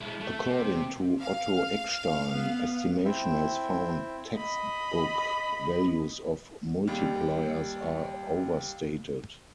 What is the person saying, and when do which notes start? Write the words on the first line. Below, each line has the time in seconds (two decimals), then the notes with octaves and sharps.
According to Otto Eckstein, estimation has found "textbook" values of multipliers are overstated.
0.01 G#3 E4
0.21 A3
0.47 C3
1.20 F5
2.29 B3
3.05 C4 E4 E5 G5
4.37 D#5 B5
6.88 D#2 G3